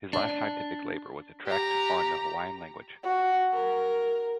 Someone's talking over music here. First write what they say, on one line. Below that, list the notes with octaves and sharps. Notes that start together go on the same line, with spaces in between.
His last scientific labor was a tract on the Hawaiian language.
D4
G4 A#5
F#4
A#4